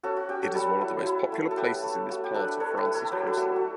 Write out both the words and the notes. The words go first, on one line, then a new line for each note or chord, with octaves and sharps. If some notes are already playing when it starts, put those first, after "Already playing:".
It is one of the most popular places in this part of France's coastline.
C#4 F#4 A4
F#4
C#4 G4
F#4 A4
G3 F#4 A4
E4
E4
A3
A4
A3 G4 B4
A3
A3 F#4
G4
D4 A4
B4
D4 A4 C#5
G4 B4
A3
A4 C#5
F#3 G4 B4
B4
A3 F#4 A4
F#4